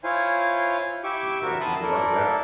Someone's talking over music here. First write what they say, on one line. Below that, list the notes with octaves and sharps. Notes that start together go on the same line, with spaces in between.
"Garbage in, garbage out."
E4 F4 C5 C#5 F5 G#5
E4 G4 E5 C#6 D6
F#4 A#4 E5
E5 A5 B5 C6 D#6 E6
E4 A4 A#4 D5